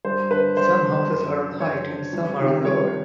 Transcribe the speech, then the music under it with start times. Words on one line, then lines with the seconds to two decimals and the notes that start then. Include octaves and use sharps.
Some houses are on height and some are on lower.
0.05 G2 C5
0.31 D3 B4
0.57 G2 C5
0.82 D3
1.08 F#2
1.35 D3
1.60 F#2 C#5
1.86 D3
2.13 C2
2.39 C3 D#3
2.64 C2 C#5